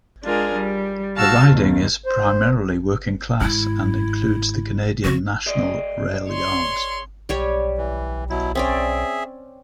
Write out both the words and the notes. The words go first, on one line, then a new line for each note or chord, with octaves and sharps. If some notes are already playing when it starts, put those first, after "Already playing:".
The riding is primarily working-class, and includes the Canadian National rail yards.
G#3 D4 F4 G#4 A#4
G3
F#4 F5 A5 E6
D#2 B2
C5
G#2 D#3 E4
C#3 F#4
G#4 D5 D#5
C#5 C6
B1 G3 G4 C#5
E3
B2 F#3 E4
C4 C#4 G#4 D5 E5